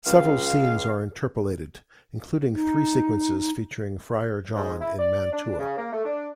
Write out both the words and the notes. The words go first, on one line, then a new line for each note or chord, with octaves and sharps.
Several scenes are interpolated, including three sequences featuring Friar John in Mantua.
C#2 F5
D#4
G#2
E4
D5
D4
C#3
A#3
A3
D4